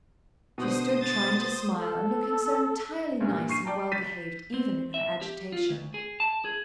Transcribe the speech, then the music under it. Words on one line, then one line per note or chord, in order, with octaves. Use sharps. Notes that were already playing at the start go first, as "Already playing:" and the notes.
She stood trying to smile, and looking so entirely nice and well-behaved even in her agitation.
B2 D3 C5 D#6
A6
A4
D2 G2 A#2
C#6 C7 D#7
D5 G5 A5 A#5
G6 A6 B6 D#7
C4
E5
G4
F4
D2
G#4
A5
G#4